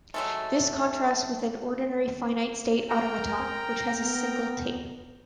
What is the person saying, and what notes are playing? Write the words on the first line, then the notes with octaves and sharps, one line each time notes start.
This contrasts with an ordinary finite-state automaton, which has a single tape.
F#3 G#3 A3
A#4 G5 A#5
B3